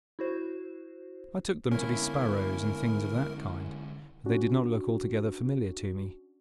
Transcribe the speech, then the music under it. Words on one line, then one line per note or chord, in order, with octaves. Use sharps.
I took them to be sparrows and things of that kind, but they did not look altogether familiar to me.
E4 F#4 C5
G#2 D3 B3 C#4 E4 A#4
C#4 D4 F#4